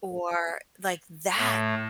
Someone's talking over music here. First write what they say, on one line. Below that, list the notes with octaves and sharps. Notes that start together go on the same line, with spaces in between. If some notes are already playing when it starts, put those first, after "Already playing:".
or like that,
A2